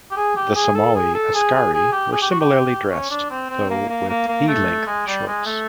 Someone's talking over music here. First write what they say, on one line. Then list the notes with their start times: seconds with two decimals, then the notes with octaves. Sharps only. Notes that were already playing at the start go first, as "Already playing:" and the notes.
The Somali ascari were similarly dressed, though with knee length shorts.
0.11 G4
0.16 G#4
0.36 G4
0.55 G#4
0.75 A4
0.95 G#4
1.14 A4
1.34 G#4
1.54 G#4
1.73 G#4
1.92 G4
2.12 G#4
2.22 G4
2.31 F#4
2.40 G4
2.91 C#4
3.10 D4
3.30 C4
3.50 C4
3.70 A#3
3.89 A#3
4.09 A#3
4.28 A#3
4.48 A3
4.87 G#3
5.07 G3
5.27 G#3
5.46 A3